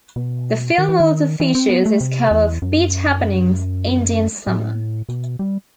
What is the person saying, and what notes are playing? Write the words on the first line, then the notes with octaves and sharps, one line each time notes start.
The film also features his cover of Beat Happening's "Indian Summer".
B2
D#3
E3
D#3
E3
C4
B3
A3
C3
E2
F#2
A2
B2
G3